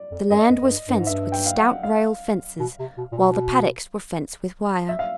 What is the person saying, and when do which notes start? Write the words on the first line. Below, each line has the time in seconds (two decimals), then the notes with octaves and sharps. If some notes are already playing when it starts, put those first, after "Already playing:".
The land was fenced with stout rail fences while the paddocks were fenced with wire.
Already playing: D5
0.11 F2
0.30 F#2 D#5
0.50 F#2
0.61 F#2
0.69 G2
0.87 G2
0.99 G#2
1.07 G2 E5
1.32 G5
1.46 F5
1.58 F#5
1.83 F5
2.60 B2
2.79 C3
2.97 B2
3.12 A#2
3.17 B2
4.89 E5
4.99 F5